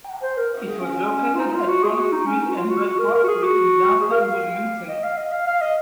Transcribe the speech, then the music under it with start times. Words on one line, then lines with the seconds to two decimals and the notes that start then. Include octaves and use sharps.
It was located at Front Street and Red Cross Street in downtown Wilmington.
0.23 C5
0.37 A#4
0.66 G#4
0.80 C#4
1.35 F4
1.39 D#4
1.53 F4
1.68 F#4
1.83 G#4
1.98 F#4
2.12 D#4
2.27 C#4
2.41 D#4
2.49 F#4
2.56 F4
2.70 F#4
2.84 F#4
2.99 A#4
3.14 A#4
3.24 F#4
3.28 G#4
3.43 F#4
4.01 G#4
4.11 A#4
4.21 F5
4.89 D#5
5.04 F5
5.17 D#5
5.32 F5
5.46 F5
5.61 D#5